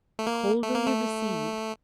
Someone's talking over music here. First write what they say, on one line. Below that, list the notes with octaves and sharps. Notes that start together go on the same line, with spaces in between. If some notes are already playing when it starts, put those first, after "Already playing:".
Coldly received.
A3
A#3
A3
A#3
A3